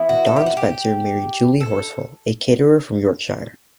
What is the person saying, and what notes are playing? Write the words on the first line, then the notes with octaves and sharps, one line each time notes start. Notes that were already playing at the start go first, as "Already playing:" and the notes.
Don Spencer married Julie Horsfall, a caterer from Yorkshire.
Already playing: E3 B3 E4
F#4
A4
G4
F#4
G4
A4